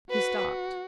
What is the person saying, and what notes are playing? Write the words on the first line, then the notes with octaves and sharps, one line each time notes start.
He stopped.
F#4 B4